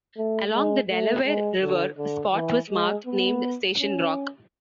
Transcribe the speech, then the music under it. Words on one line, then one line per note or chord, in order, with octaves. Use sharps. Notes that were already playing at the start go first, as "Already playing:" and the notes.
Along the Delaware River, a spot was marked named station rock.
A3
G#3
A3
G#3
D3
D3
E3
G#3
B3
C#4